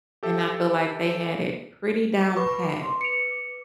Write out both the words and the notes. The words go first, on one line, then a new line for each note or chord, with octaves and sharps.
and I feel like they had it pretty down pat
G4 A4 E5
B4 B5 C#6 D6
C6
C#7 D7 F7